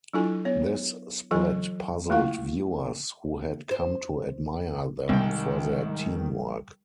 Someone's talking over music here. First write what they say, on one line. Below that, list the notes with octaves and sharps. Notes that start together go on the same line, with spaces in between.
This split puzzled viewers, who had come to admire them for their teamwork.
F#3 D4 E4 F4 A4 G#5
B3 C#5
E3 F#3 F4 A4 G#5
A3 A#3 E4 F4 F5 F#5
C5
C2 G#2 D#3 G3 G5